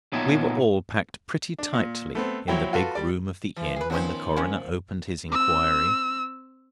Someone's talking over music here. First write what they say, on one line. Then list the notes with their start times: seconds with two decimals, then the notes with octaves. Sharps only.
We were all packed pretty tightly in the big room of the inn when the coroner opened his inquiry.
0.13 A#2 B3 D#4 C#5 E5 A5
1.59 D4
1.73 A#2
2.15 A3 B3 C4
2.48 A#1 F#3 E4 G5
2.73 F4 F#4 A4 B4
2.95 G3 D5
3.56 E3
3.76 G#4 B4
3.90 D#3 F3 B3 C#4 C5
4.37 A#3 C#4
5.30 C4 E6